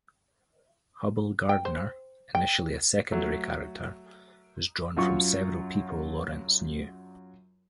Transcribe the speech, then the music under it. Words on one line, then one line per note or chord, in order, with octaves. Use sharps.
Hubbell Gardiner, initially a secondary character, was drawn from several people Laurents knew.
G5
C5
G5
F#3 A3
F#2 F#3 F4 C#6